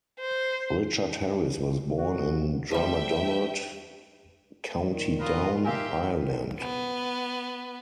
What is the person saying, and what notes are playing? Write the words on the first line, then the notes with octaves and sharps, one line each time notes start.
Richard Harris was born in Drummadonald, County Down, Ireland.
C5
F#4
F3 G3 A3 E5 G5
A#2 D#3
F4 A#4 B4 D#5
G4 A#4 E5 F5 G5 G#5 C6
B3